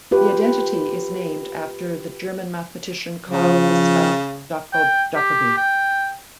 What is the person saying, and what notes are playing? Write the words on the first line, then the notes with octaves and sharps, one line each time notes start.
The identity is named after the German mathematician Carl Gustav Jakob Jacobi.
F4 G4 B4
C#3 F3
G5
G4
G5